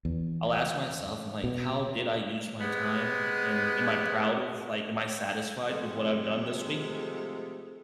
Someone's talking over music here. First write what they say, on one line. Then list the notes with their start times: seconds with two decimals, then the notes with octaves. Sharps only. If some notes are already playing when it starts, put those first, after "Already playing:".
I'll ask myself, I'm like, "How did I use my time?" And, "Am I proud of, like, am I satisfied with what I've done this week?"
0.05 E2
1.44 B2
2.61 C3 G#3 B3
5.68 C3 F3 G#3 A3